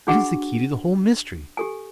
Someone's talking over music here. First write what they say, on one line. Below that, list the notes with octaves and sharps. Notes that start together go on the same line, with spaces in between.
It is the key to the whole mystery.
D4 F#4 G#4 F#5 G#5 C#6
G4 A4 G#5